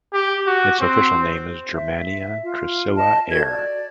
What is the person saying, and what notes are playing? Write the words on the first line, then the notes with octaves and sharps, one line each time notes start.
Its official name is Germania Trisila Air.
G4
F#4
C4
E5
F4
D#5 A5
F#4 A4 G#6
D5